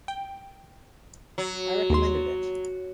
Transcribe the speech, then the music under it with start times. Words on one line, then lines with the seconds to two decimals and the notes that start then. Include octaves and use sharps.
I recommended it.
0.08 G5
1.38 F#3
1.90 D#2 C6